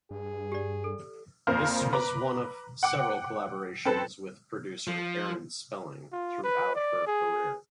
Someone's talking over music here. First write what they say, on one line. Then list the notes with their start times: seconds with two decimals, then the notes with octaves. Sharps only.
This was one of several collaborations with producer Aaron Spelling throughout her career.
0.11 G2 G#4
0.52 G4 D5
0.84 A4
1.47 F2 A#2 A#4 C5 F5 F6
1.93 B4 A#5 D6
2.83 F#5 G5 D6
3.85 C4 A4 B4
4.87 F3
6.12 F4
6.44 B4
6.75 D5
7.07 G#4